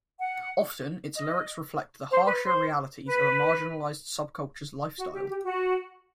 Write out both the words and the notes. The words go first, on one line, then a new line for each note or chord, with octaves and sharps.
Often its lyrics reflect the harsher realities of a marginalized subculture's lifestyle.
F#5
D#5
C5
B4
C5
B4
F#4
G4
G4
F#4